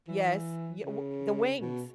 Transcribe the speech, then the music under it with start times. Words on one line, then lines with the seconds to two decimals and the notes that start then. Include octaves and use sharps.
Yes. Ye w the wings.
0.08 E3
0.85 C#3
1.61 B2